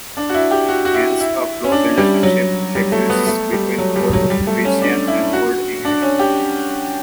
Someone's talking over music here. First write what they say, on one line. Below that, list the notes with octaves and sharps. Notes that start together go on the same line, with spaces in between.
Hence, a close relationship exists between Old Frisian and Old English.
D4
F#4
E4
G4
F#4
F#4
E4
E4
C#4
D4
G3
F#3
G3
A3
B3
A3
G3
F#3
G3
F#3
G3
A3
C#4
D4
E4
F#4
D4
C#4
G4